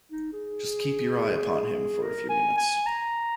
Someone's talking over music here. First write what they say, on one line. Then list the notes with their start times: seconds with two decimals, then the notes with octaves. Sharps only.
Just keep your eye upon him for a few minutes.
0.12 D#4
0.33 G#4
2.02 A#4
2.29 G#5
2.57 G#5
2.87 A#5